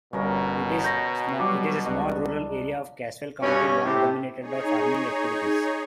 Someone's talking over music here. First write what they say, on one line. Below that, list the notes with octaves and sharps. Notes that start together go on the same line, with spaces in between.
It is a small rural area of Caswell County long dominated by farming activities.
G1 G2 B2 C#4 A#4
C#6 G6 A#6
F#3 G3 D6
C#2 G3 D4 D#5
G2 B2 C#4 C#5
A2 C3 G4
D#4 G#4 C#5